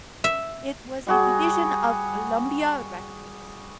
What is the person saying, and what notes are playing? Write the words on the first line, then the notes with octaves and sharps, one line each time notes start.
It was a division of Columbia Records.
E5
G3 F#4 G#4